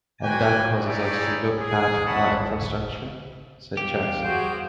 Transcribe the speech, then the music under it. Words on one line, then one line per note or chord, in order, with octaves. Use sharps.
And that causes us to look at our infrastructure, said Jackson.
A#3 F#4 B4 G5 G#5
D#4 E4 G4 G#4 C#5 D5
G#4
C#4 E4 C#5 F#5 A5 B5
E2 G3 G4 F5
F#4 G#4 C5